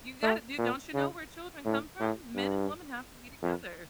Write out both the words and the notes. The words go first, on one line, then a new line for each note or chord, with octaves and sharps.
You gotta do don't you know where children come from? Men and women have to be together.
A3
A#2
C#3
A2
A2
G2
F2